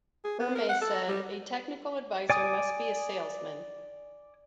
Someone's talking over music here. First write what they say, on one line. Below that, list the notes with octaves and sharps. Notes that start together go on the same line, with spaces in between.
Ermey said A technical advisor must be a salesman.
G#4
B3
A#4
F#5
A4
G3
D5 G#5 D6 D#6